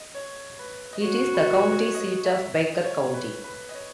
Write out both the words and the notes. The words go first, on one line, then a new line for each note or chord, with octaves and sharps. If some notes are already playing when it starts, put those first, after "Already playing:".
It is the county seat of Baker County.
Already playing: D#5
C#5
B4
D#5
F#4 C#5
B4
C#5
D#5
C#5
D#5
E5
D#5
D#5
C#5
B4
B4
D#5
C#5